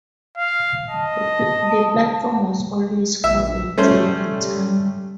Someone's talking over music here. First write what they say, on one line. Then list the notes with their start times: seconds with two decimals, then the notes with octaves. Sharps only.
The platform was always crowded during the time.
0.38 F5
0.89 D#5 A5
3.24 A#1 E5
3.78 G3 A3 C#4 C5